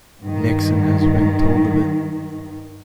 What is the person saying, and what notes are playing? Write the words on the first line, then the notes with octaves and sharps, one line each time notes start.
Nixon has been told of it.
G2 D#3